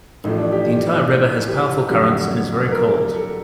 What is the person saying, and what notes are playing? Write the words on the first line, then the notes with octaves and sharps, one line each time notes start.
The entire river has powerful currents and is very cold.
A1 A2 F3 A3 D#4
D4
G4
G4
F2 D3 F#3 G4
A#4
A4